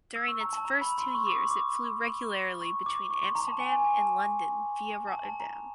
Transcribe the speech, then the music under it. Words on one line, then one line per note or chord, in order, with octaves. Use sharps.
During its first two years it flew regularly between Amsterdam and London via Rotterdam.
E6
C#6
A#5
A5
A#5
B5
C6
C#6
D6
C#6
D6
C#6
D6
C#6
C6
A#5
A5
G#5
G#5
G#5
A5
A5
A5
A#5